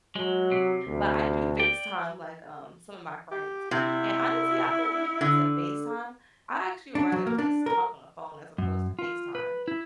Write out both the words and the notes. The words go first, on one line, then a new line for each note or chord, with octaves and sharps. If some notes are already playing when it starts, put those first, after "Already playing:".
but I do FaceTime, like, um, some of my friends. And, honestly, I feel like when it comes to FaceTime, I actually would rather just talk on the phone as opposed to FaceTime.
F#3 G#3
C3
D2
D5 G5
G4
C3 E4
D3
D4
F#3
A#3
D4
A#4
F#2
F4
B4
E4